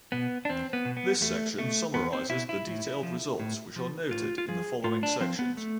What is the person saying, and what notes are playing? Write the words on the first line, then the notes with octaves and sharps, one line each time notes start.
This section summarises the detailed results which are noted in the following sections.
B2 B3
D4
E2 C4
B3
B2
B3
E2 A3
B2 A3
E2 B3
C4
B2 E4
E4
A2
F3
A2
F3
A2 F4
F4
F3 G#4
A2 F4
D4
F3 C4
B3
A3